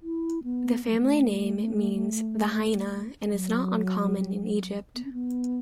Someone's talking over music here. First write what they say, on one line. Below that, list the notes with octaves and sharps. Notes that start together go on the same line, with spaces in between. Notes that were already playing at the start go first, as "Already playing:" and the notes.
The family name means "the hyena" and is not uncommon in Egypt.
E4
B3
A3
F#3
A3
F#3
B3
C#4
B3